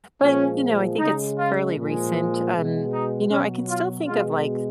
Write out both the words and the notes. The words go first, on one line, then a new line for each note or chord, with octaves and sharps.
But, you know, I think it's fairly recent. Um, you know, I can still think of, like,
A#2 F3 G#3 C#4
C#3 G#3 D#4
F4
A#2 F3 G#3
B2 G#3
D#4
B2 F#3 C#4
F4
B2 G#3 F4